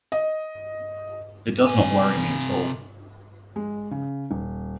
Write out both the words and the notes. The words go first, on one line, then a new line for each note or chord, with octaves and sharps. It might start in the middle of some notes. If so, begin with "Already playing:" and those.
It does not worry me at all.
D#5
C3 G#5
G#3
C#3
D#1